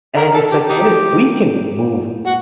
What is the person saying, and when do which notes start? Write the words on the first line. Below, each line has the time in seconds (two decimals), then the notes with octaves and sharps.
and it's like, "What if we can move"
0.17 A#4
0.34 A4
0.52 G4
0.70 D#4 G4
2.26 F#4